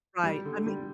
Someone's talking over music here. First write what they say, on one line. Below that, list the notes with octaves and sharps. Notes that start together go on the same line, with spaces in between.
Right. I mean
G3
D3
G3